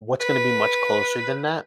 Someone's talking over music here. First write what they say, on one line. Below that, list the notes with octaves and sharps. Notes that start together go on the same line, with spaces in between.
what's gonna be much closer than that
B4